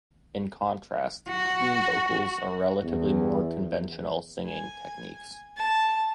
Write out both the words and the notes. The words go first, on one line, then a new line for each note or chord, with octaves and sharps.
In contrast, "clean" vocals are relatively more conventional singing techniques.
F#4
E2
G#5
A5